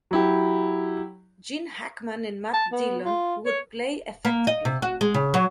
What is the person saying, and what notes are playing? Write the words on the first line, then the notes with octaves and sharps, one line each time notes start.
Gene Hackman and Matt Dillon would play effectively.
F#3 E4 G4
A5
B3
F4
C#5
A#3
D#5
C3
F#4
G#3
C#3
F#3